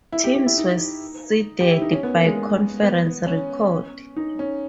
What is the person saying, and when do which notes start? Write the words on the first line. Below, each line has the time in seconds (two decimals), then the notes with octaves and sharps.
Teams were seeded by conference record.
0.12 E4
0.24 G4
0.35 G4
0.46 E4
0.58 D#4
1.61 G4
1.71 E4
1.82 D#4
1.92 C#4
2.03 B3
2.15 A#3
2.26 G#3
2.82 B3
3.27 C#4
4.17 D#4
4.39 C#4